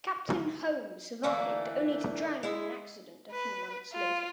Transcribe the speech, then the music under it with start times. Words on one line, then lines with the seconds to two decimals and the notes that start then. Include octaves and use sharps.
Captain Holm survived, only to drown in an accident a few months later.
1.23 D3 E3 A3 A#3
2.43 G#3 E4
3.31 B4
3.93 F4